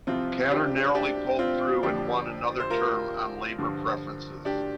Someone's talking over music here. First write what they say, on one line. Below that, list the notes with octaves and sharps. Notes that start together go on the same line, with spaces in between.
Katter narrowly pulled through and won another term on Labor preferences.
C2 C3 F3 C4 F4
D4 G4
D4 G4
C4 F4
F2 D3 F3 D4 G4
C5
F4 A#4
G2 D3 F3
D4 G4